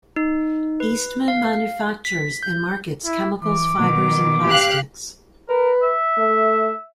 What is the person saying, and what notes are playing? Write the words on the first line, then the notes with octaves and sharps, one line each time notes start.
Eastman manufactures and markets chemicals, fibers and plastics.
D#4
B4
F5
B6
G6
E4
E3 D6
B2 D#3
G4 F5 F#6
A#4 B4
E5
A3